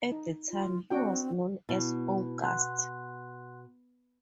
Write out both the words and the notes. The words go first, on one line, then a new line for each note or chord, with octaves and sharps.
At the time, he was known as "Owgust".
D#4
F4
C4 D4 F#4 G5
B2 E4
F#5 C6 F#6